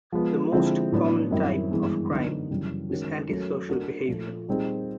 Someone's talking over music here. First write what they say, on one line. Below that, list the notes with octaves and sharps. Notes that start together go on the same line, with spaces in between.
The most common type of crime is anti-social behaviour.
F3 G#3 B3
D3 F3 G#3 C4 E4
A2 F#3 B3 D4
F#2 D#3 G3 C4 E4
G2 E3 G#3 B3
D3 F#3 B3 D#4
F#2 C#3 E3 G3
D#3 G#3 C#4 F#4
F#3 A3 C#4 F#4 A#4
A3 D4 F#4 A#4
A#2 F3 A3
A#2 G3 C4 D#4 G#4